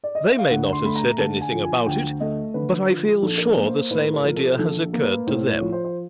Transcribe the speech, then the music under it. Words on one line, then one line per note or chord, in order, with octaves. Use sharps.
They may not have said anything about it, but I feel sure the same idea has occurred to them.
D5
D#5
E5
F5
D2 F#5
C6
A3 B5
A#5
D3 A5
G#5
F3
G#5
D2 G5
A3 D#5
D3 B4
F3
A#1 A4
A#4
B4
A#3
C5
A2 B4
A#4
F3
A4
A#1 A4
A#3
B4
A2 C5
C#5
F3
C5
C5